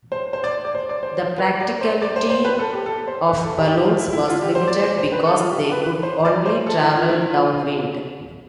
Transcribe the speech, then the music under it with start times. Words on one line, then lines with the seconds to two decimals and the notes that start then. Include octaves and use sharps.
The practicality of balloons was limited because they could only travel downwind.
0.12 C5
0.33 C5
0.44 D5
0.65 D5
0.75 C5
0.89 D5
1.03 C5
1.17 C5
1.38 B4
1.60 D5
1.81 C5
2.02 D5
2.16 C5
2.30 C5
2.45 B4
2.59 A4
2.73 G4
2.86 A4
3.07 C5
3.29 B4
3.43 A4
3.57 G4
3.71 G4
3.86 F4
3.99 E4
4.13 E4
4.28 F4
4.42 G4
4.55 C5
4.68 D5
4.79 C5
4.98 C5
5.12 B4
5.26 A4
5.40 F4
5.50 G4
5.61 A4
5.72 B4
5.83 B4
6.03 C5
6.25 D5
6.46 C5
6.67 A4
6.81 E4
6.96 F4
7.09 E4
7.30 F4